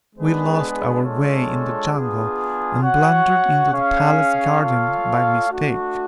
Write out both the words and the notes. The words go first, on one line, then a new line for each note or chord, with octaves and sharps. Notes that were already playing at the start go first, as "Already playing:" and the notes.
"We lost our way in the jungle and blundered into the palace-garden by mistake."
G#3 B3 D4 G#4 B4
G#3 D4 F4 A4 C#5
B3 D4 F4 G#4
F#4 C#5 F#5
C#4 G#4 C#5 F5
F4 A4 C#5 F5
A3 D4 F#4